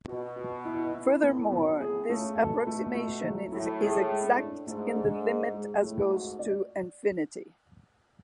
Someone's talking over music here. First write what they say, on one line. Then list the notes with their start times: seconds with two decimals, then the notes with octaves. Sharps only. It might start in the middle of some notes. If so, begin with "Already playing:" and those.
Furthermore, this approximation is exact in the limit as goes to infinity.
0.08 B2 F#4
0.36 F#4
0.65 E4
0.94 E4
1.22 A2 B3
1.51 F#2 B3
1.80 A2 G#4
2.09 C#3 A3
2.37 B2 A4
2.67 A3
2.95 A3
3.24 F#3
3.52 A2 E4
3.81 G#4
4.09 G#3
4.38 D4
4.67 G#2 A3
4.96 D4
5.25 G#3
5.54 G#3
5.82 A2 A3
6.10 G#2 F#4
6.39 D5